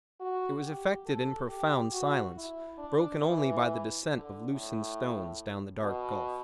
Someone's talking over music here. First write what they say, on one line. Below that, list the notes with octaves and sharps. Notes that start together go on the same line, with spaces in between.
It was effected in profound silence, broken only by the descent of loosened stones down the dark gulf.
F#4
G4
A4
G4
F#4
E4
D4
E3
D3
A2
B2